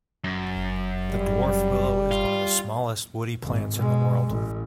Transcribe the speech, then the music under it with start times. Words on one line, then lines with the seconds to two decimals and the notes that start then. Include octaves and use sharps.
The dwarf willow is one of the smallest woody plants in the world.
0.24 F#2
1.11 G3
2.11 F4
3.42 G#1
3.76 B2 G#3
4.28 A1